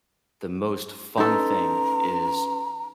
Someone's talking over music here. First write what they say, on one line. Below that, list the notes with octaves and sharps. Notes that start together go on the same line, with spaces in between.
the most fun thing is
C#4 D#4 A4 B4 A#5 C6